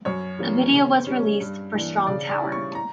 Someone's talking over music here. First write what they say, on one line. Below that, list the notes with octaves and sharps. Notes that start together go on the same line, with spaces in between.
A video was released for Strong Tower.
F#2 C#5
E3 G3 A#3 C#4
C#3
G3 C#4
G2
E3 A#3 D4
C#3 D5
D5
G3 C#4 E4
C#6
A#5